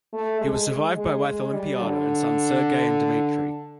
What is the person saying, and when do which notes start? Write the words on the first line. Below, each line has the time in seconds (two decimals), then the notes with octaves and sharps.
He was survived by wife Olimpiada and sons Sergey and Dmitry.
0.13 A3
0.41 G#3
0.69 G#3
0.98 G#3
1.26 G#3
1.54 G3
1.82 D3